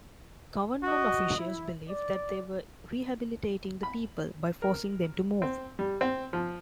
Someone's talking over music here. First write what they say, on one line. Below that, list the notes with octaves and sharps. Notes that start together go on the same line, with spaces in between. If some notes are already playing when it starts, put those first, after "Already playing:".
Government officials believed that they were rehabilitating the people by forcing them to move.
F#4 D#5
E4
D5
B5
A#4
C4
G3
C4
F3